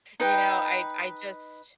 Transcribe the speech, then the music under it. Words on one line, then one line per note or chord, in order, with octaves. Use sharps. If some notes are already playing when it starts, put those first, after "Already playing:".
You know, I'd I just
D#4 B4 G5